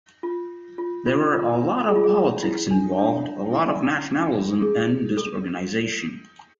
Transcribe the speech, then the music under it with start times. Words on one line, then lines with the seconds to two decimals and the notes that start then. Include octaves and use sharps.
There were a lot of politics involved, a lot of nationalism and disorganization.
0.23 F4
0.78 F4
1.06 F4
1.33 F4
1.89 G#4
1.96 F4
2.04 G#4
2.43 E4
2.71 D4
2.98 D4
3.52 E4
4.62 G#4
5.17 A4